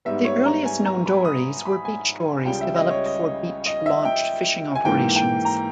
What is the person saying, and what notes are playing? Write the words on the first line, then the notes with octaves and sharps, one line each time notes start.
The earliest known dories were beach dories developed for beach-launched fishing operations.
G#2 G3 B3 E5
C#5
A#5
G#5
A#5
B5
D#6
B5
G#5
C#2 C#3 G3 G5
E5
D#5
C#5
D#5
D#5
E5
G5
G#5
G#2 E3 A#3 G5
G5
A#5